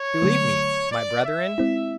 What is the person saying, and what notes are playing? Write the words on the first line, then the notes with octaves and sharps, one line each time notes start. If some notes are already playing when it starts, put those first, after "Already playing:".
Believe me, my brethren!
Already playing: C#5
D3 F#3 A3
D5
E5
G#3 C4 E4